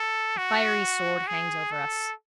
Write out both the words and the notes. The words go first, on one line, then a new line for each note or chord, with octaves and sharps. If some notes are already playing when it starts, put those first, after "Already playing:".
A fiery sword hangs over us.
Already playing: A4
F#4
G#4
A4